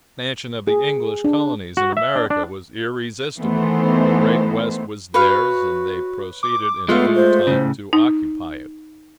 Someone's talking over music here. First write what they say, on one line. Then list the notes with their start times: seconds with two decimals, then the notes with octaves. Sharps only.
The expansion of the English colonies in America was irresistible; the Great West was theirs, and they proceeded in due time to occupy it.
0.67 G#4
1.24 D4
1.77 F#4
1.97 E5
2.16 D4
2.30 D4
3.39 D#3 E3 A3 B3 C5
5.14 F#4 B4 C#5 F5
6.43 D6
6.89 G#3 A3 B3 F4 C#5 E5 F5
7.16 C5
7.47 A2 C#3
7.93 D#4